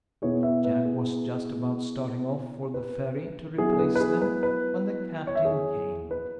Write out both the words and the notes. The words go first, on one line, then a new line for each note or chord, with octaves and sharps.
Jack was just about starting off for the Ferry to replace them when the Captain came.
B2 B3 E4 G#4 C#5
B4 E5
B4 E5
G#4
B4
F#3 B3 E4 G#4
G#4
B4
B4
G#4
B4
B4
C#5
E5
G#4 C#5
B4